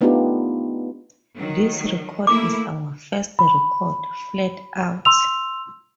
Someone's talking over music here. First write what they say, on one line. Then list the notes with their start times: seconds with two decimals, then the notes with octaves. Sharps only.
This record is our first record, flat out.
0.01 A3 B3 D4 D#4 F4 G4
1.36 D#3 F#3
2.27 A3 A#3 E4 D6
3.39 B5
5.05 C6 E6 F7